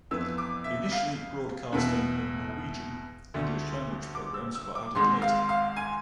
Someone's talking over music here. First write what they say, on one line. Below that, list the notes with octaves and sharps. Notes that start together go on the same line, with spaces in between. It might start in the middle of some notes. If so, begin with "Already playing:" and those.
Initially broadcasting in Norwegian, English-language programs were added later.
F2 E3 B3 E6
D6
E5
F5
E2 B2 B3 E4
D2 D3 A3
D6
E6
E6
D6
G#1 G#2 G#3 C6
F5
F5
G#5